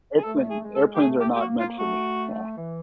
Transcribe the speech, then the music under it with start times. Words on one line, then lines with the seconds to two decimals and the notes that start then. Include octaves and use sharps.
airplane airplanes are not meant for me, yeah.
0.18 G#4
0.24 A3 A4
0.50 G#4
0.63 G#3
0.75 A4
0.95 A#3 G4
1.01 A3 G#4
1.20 G4
1.35 G4
1.40 A#3 F#4
1.60 F4
1.79 A3 F#4
2.57 E3